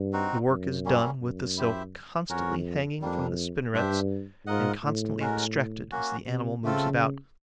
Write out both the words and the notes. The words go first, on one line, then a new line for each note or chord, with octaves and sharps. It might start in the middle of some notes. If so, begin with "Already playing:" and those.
The work is done with the silk constantly hanging from the spinnerets and constantly extracted as the animal moves about.
Already playing: G2
C4 D#4 F#4
F#2
G3 A#3 C#4
F#2
E4 G4 C5 E5
F2 C#4 F#4 A#4 C#5
F2 G3 A#3 D4
G2 D4 G4 C5 E5
G#2 F4 A#4 D#5 F#5
A2
G#3 C#4 F#4 A#4
A#3 C#4 F#4
C3
C#3 A3 C4 F4 A4